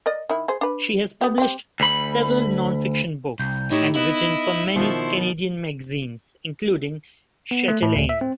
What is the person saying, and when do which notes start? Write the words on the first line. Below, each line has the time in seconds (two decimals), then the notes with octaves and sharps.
She has published several non-fiction books and written for many Canadian magazines including "Chatelaine".
0.06 A#4 D5 D#5
0.29 D#3 E4
0.48 G#4 C5
0.61 D4 B4
1.21 B3 G4
1.38 C4 G4
1.80 D2 B5
3.39 C2 G6
3.71 A2 D#4 E4 G4 C#5 D#5
3.96 B3 E4 D#5 B5
4.76 B2 D#3 F3 C5 C6 C#6
7.51 B3
7.68 A3
7.82 A2
7.95 D2
8.09 E5
8.21 C4